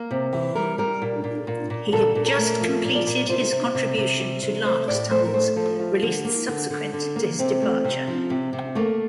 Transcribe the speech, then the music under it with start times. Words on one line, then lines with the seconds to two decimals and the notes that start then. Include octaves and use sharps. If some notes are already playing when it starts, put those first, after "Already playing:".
He had just completed his contribution to "Larks' Tongues", released subsequent to his departure.
Already playing: A#3
0.11 C3
0.33 E3
0.55 G3 A#4
0.78 G3 A#4
1.02 A#2
1.24 A#2
1.47 A#2
1.70 A#2
1.92 A#2 A4
2.15 A#2
2.26 A#4
2.38 A3
2.61 F3
2.84 A#2
2.95 D5
3.06 A#2
3.29 C3 C5
3.52 C3
3.75 C3
3.97 C3
4.20 G3
4.42 C3
4.65 A3 C5
4.88 A2 D5
5.11 A3 C5
5.25 A#4
5.33 A3 C5
5.56 F3 A4
5.79 A3 F4
6.02 D3
6.24 A#3
6.48 D3
6.70 D3
6.93 D3
7.16 A#3
7.39 C3 C4
7.61 A3
7.84 C3
8.08 F3
8.30 C3
8.53 C3
8.75 A3 A#3